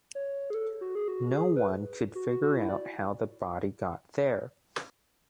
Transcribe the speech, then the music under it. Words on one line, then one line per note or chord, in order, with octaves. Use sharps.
No one could figure out how the body got there.
C#5
G#4
A4
F#4
G#4
F#4
F#4
G#4
B4
F#4
F#4
F#4
E4
D5